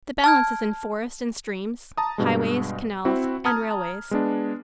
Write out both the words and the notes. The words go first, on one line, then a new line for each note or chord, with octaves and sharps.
The balance is in forests and streams, highways, canals, and railways.
A5 F6 G#6
A5 A#5 D#6
G2 B2 G#3
C4 E4 F#4
A5 A#5 D#6 F6 G#6
G#3 B3 D4